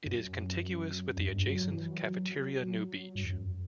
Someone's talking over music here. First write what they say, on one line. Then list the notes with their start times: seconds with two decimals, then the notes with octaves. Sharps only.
It is contiguous with the adjacent Cafeteria New Beach.
0.06 F#2
1.16 E2
1.22 F#2
1.29 G2
1.50 F#3
1.71 E3
1.92 F#3
3.15 G2
3.24 E2
3.30 F#2